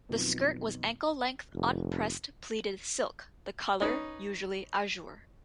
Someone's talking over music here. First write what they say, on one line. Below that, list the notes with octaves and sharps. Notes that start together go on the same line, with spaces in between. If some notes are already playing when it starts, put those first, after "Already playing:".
The skirt was ankle-length, unpressed-pleated silk, the color usually azure.
F2 B2 D#3 F#3 F4
F1
C#4 D#4 B4